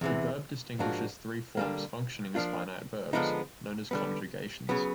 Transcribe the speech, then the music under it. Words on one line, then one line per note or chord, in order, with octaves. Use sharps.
The verb distinguishes three forms functioning as finite verbs, known as "conjugations".
E2 C3 E3
G#2 F3 A#3 D4 F#4
D3 G3 A#3
F3 A#3 D4 F4
D3 F3 G#3 B3 D#4
D3 G3 B3
C#3 F#3 B3